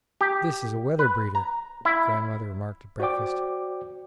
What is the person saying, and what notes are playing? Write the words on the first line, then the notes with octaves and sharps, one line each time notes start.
"This is a weather-breeder," grandmother remarked at breakfast.
G4
B4
A#5
E4
F#4 C5 D5 G5 D6